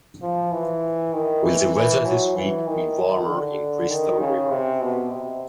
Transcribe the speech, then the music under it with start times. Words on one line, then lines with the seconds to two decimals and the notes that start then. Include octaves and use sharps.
Will the weather this week be warmer in Crystal River?
0.22 F3
0.52 E3
1.13 D#3
1.44 E3
1.75 E3
2.05 F#3
2.36 E3
2.67 D#3
3.28 D3
3.90 D#3
4.20 C#3
4.51 C3
4.81 B2
5.12 C3